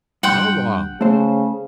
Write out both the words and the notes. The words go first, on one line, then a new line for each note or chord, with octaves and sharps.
"How long?"
G2 F#5 G5 C6
C#3 A3 C5